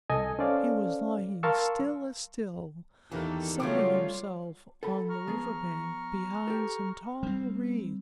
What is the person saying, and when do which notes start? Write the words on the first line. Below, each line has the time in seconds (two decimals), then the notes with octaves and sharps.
He was lying still as still, sunning himself on the river bank behind some tall reeds.
0.10 C2 A4 D#5 G#5
0.39 C#4 A4 C5 D5 F5
1.43 A#4 F5 A5 C6 C#6 E6
3.11 E2 D#3 E3 G3 A#3 A4
3.60 C#3 F#3 G3 A3 F4 G4 C#5 D6
4.83 A4 F#5 B5
5.10 A#5 C#6 F6
5.27 F3 B3 G#4
6.48 G4 A4
7.23 G3 C4